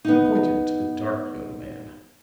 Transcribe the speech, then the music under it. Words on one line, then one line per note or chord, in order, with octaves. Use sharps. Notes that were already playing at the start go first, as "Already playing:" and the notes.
He pointed to the dark young man.
B3 D#4